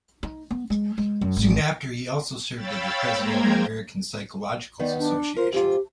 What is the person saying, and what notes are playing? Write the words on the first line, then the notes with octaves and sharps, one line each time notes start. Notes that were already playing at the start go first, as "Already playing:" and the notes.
Soon after, he also served as the president of the American Psychological Association.
D#4
B3
G#3
G#3
F#2
G#1
C#5 F5 G5 B5 E6 A6
G#3 A#3 C5 G5 A#5 G#6
D#3 B3 D#4 D5
D4
F4 A#4 C5
F2 G#2 F4 G4